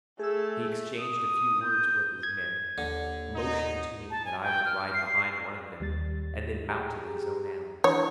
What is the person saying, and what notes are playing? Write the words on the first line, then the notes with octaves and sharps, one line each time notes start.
He exchanged a few words with his men, motioned to me that I would ride behind one of them, and then mounted his own animal.
A3 G#4 E6
D#6
G6
G#6
D#2 D3
D#4
A5
G#5
G5
F6
C7
D#2 G3 A6
G4 G#4 A#5
E3 D4 C#5